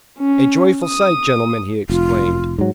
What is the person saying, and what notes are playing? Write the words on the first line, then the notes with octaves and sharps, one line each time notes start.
"A joyful sight, gentlemen!" he exclaimed.
C#4
D#6
F1 F4
G#2 F#3